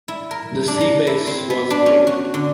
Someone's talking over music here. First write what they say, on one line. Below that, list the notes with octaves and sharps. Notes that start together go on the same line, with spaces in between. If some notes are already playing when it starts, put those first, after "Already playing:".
That seabass was great.
E4
A#4
D4
A#5
E4
C4
B3
D4
C#4
F#4
D3